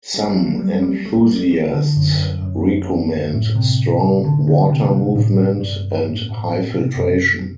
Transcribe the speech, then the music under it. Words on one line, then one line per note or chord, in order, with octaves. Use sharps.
Some enthusiasts recommend strong water movement and high filtration.
G3
F#3
G3
G3
A3
G3
G3
E3
D3
F#2
F#2
F#2
F#2
F#2
A2
C3
D3
D3
C3
B2
A2
G2
G2
A2
B2
B2
C3
F#2